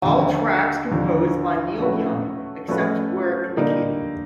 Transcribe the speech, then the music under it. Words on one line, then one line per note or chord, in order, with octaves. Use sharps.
All tracks composed by Neil Young, except where indicated.
D#2 D3 F3
D#2 D3 F3
F3 A3 C#4 F#4 B4
F3 A3 C#4 F#4 B4
D3 G3 A#3 D#4